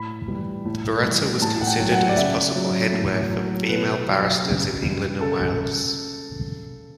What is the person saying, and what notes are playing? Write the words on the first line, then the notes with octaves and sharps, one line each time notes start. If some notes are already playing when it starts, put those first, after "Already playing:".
The biretta was considered as possible headwear for female barristers in England and Wales.
Already playing: A2 B5
E3 G3
A2
E3 G3
A2 A5
F#5
G5
F#3
F#5
D5
C#3 E5
F#3
A2
F#3
A4
B2 B4
F#3
C#3
G3
C#3 A4